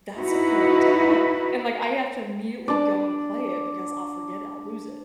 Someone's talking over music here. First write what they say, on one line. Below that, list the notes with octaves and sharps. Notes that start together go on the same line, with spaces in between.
"That's a cool idea," and, like I have to immediately go and play it because I'll forget it I'll lose it,
D#4 E4 F#4 B4
D4 D5